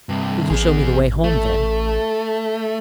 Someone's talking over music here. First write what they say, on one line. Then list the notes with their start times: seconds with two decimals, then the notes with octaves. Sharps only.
"Will you show me the way home, then?"
0.09 G2 C3
0.50 A1 E2 G#4
1.24 A3